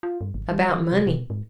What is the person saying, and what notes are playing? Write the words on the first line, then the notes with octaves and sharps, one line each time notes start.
"About money."
F4
G2
G#1
G3
F3
C3
B2
G#2